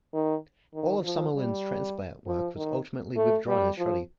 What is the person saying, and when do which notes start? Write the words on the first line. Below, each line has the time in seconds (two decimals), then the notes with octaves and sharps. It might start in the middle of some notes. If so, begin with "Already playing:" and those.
All of Summerlin's transplant work was ultimately withdrawn as shoddy.
0.14 D#3
0.74 D#3
1.04 F3
1.35 G3
2.27 F3
2.57 D#3
3.16 A3
3.48 G3
3.78 F3